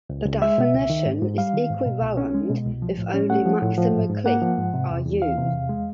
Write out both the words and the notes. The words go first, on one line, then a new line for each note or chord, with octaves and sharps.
The definition is equivalent if only maximal cliques are used.
C#2
C#2
G#3 E5
B2
C#2
D#3
G#2
G#2
G3 F5
D#3
G#2
B2
C2
C#4
G#3
B2
C2
F3
A2
C#4
A3 F#5
F3
A2
F3
G#2
G#2
A#3 F#5
F3
G#2
C3
E2
E2
E3 F5
C3
E2
G#3